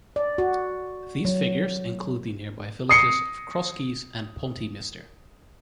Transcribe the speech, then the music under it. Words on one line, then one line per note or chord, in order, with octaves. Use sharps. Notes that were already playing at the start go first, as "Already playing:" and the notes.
These figures include the nearby villages of Crosskeys and Pontymister.
D5
F#4
F#3
D#6 C7 C#7